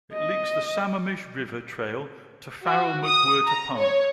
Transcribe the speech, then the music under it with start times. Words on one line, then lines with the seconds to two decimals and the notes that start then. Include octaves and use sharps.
It links the Sammamish River Trail to Farrel-McWhirter Park.
0.13 D#5
2.63 F#4
3.05 D#6
3.47 A#5
3.78 C#5